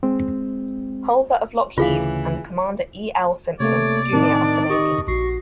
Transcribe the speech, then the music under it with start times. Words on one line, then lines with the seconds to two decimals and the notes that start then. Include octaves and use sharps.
Pulver of Lockheed and Commander E. L. Simpson, Junior of the Navy.
0.03 G#3 C4
1.78 D2 C#3 E3 F4 G#4 F5
3.60 C3 A3 A#3 C#5 D5
4.12 A2 D#3 C4 D4 A#4
4.70 D#3 G4 D#5 C#6
5.08 A#1 F#4 C#6 A#6 C7